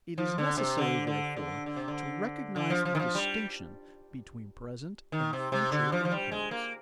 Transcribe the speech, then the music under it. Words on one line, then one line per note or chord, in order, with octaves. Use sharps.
It is necessary therefore to recognize the distinction between present and future incomes.
F3
D3
C3
D3
D3
D3
D3
C3
D3
D3
F3
F3
D#3
F3
G3
D#3
C3
C3
D3
F3
F3
G3
G#3
A#3